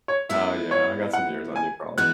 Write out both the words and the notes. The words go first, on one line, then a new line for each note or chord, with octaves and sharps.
Oh, yeah, I got some years on you, probably.
C#5
G#3 B3 E4 E5
C#5
F#5
G#5
E3 G#3 B3 F#4 F#6